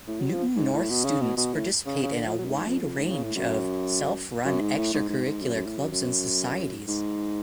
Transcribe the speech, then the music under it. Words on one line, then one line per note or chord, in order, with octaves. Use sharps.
Newton North students participate in a wide range of self-run extracurricular clubs and societies.
A2
F#3
F3
G#2
A2
B2
C#3
B2
B2
A2
C#3
C#3
D3
F3
F#3
F#2
G#2
F2
F2
G#2
C#3
A2
F#2
F#2
G#2
A2
G#2
G#2
G#2
F#2
F#2
A2
F#2
F#2
G#2